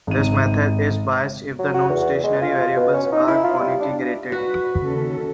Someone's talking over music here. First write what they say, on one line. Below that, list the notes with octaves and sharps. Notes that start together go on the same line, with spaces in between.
This method is biased if the non-stationary variables are cointegrated.
G#1 D#7
F#3
F#4
E2
G#3
F4
B2
C#4
D#4
E4
F4
G3
D4
F#4 B4
D#2 C#3 C#4 A4